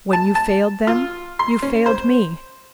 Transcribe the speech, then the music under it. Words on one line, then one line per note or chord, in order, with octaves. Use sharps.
When you failed them, you failed me.
A5
A5
F4
C6
C#4
C5